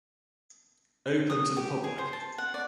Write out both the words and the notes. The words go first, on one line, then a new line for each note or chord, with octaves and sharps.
Open to the public.
D#6
G4
G#4
C5
A5
F#5
D5